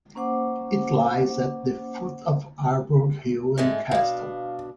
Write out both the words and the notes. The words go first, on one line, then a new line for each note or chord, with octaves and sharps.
It lies at the foot of Aarburg hill and castle.
A#3 C#4 C5 F#5 D6
G#2 G#3 A3
B2 D4 F5